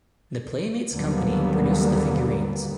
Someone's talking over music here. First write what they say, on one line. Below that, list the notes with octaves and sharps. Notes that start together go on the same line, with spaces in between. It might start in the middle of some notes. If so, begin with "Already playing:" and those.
The Playmates company produced the figurines.
D#2 D3 F#3 G3 A#3 B3